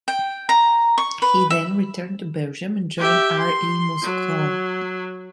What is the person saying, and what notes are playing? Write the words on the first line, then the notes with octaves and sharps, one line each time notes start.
He then returned to Belgium and joined R.E. Mouscron.
G5
A#5
C#6
B4
E5
G4 E5
C6
F#3